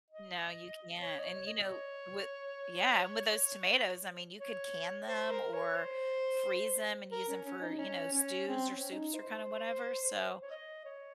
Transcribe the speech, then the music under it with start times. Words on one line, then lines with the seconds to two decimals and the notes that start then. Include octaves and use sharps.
No, you can't, and, you know, with yeah, and with those tomatoes, I mean, you could can them or freeze ‘em and use ‘em for, you know, stews or soups or kind of whatever. So,
0.10 D#5
1.00 C#5
1.19 D#5
1.24 C#5
1.46 D#5
1.69 C#5
4.40 C#5
5.07 C5
5.31 A#4
5.53 C#5
5.76 C5
7.12 A#4
7.29 C#4
7.45 C#4
7.62 D#4
7.79 C#4
8.13 C#4
8.47 C4
8.70 C#4
8.93 D#4
9.15 C5
10.42 C#5
10.50 D#5
10.85 C#5